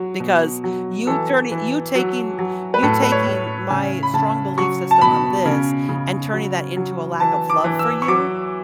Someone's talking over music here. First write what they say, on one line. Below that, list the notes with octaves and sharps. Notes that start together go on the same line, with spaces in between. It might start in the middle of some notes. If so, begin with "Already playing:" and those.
Because you turning you taking you taking my strong belief system on this, and turning that into a lack of love for you
Already playing: F#3
B2
F#3
E3 A4
E3
F#3
F#3
B4
A2 A4
B4
C#5
A2
C#3 G#5
B5
C#3 A5
F#3 C#6
A5
B2 B5
C#3
C#3
F#3
F#3
E3 A5
D6
E3
E6
C#6
F#3 D6